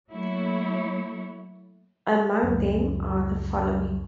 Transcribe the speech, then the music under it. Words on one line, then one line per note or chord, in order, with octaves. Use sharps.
Among them are the following.
F#3 A3 A#3 E4 C#5
C#2 F#2